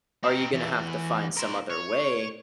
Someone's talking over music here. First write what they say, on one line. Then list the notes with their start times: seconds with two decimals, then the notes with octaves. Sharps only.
Are you gonna have to find some other way
0.24 C4 A#4
0.54 E2 E3
1.37 A#4 C5
1.70 C#5